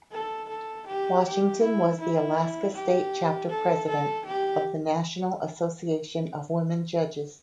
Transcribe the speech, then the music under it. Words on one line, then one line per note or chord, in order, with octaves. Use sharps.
Washington was the Alaska state chapter president of the National Association of Women Judges.
A4
A4
G4
G4
E4
E4
G4
A4
A4
G4